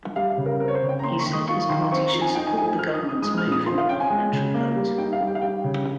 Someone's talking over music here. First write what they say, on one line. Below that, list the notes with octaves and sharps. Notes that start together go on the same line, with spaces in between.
He said his party should support the government's move in the parliamentary vote.
G3 F5
F5
C#3
A#4
C4 A#4
C#5
C5
C#3
G5
A#5
A#3 C6
C#6
D#3
D#6
F4 C#6
D#3 C6
C4 C#6
A#5
F3
G#5
D#4 G5
G#5
F3 G#5
G#5
F3 F6
D#6
D#4
D#6
G#3 D#6
F6
A#2
D#6
F3 C6
F5
C#4 G5
G#5
G#3
C#3
A#3
G3
D#4 G5
F5
G3
G5
F5
G3 G5
C#3